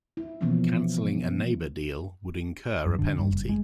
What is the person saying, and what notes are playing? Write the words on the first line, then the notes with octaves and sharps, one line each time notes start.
Canceling a neighbor deal would incur a penalty.
E4
B2 E3 F3 A#3 B3 C#4
F#2
D3
G2
F#1
G#3